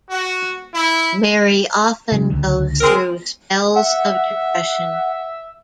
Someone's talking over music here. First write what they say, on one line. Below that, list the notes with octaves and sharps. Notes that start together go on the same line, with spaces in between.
Mary often goes through spells of depression.
F#4
E4
C#3 F#3
C#2 D3
G#3 C4 A#4
E5 F#5